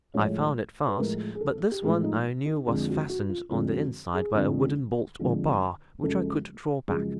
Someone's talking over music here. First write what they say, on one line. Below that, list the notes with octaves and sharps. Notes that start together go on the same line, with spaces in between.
I found it fast, but this one I knew was fastened on the inside by a wooden bolt or bar, which I could draw back.
A2 F3 G#3 C#5
B4
A2 F3 G#3 A#4
G#4
A4
G4
A2 F3 G#3 G#4
D#4
D#4
F2 D3 F3 G#3 F4
F#4
F#4
F4
F2 D3 F3 G#3 F4
F#4
G#4
F2 D3 F3 G#3
F2 D3 F3 G#3
F#2 C#3 F3 G#3 A4
F#2 C#3 F3 G#3 G#4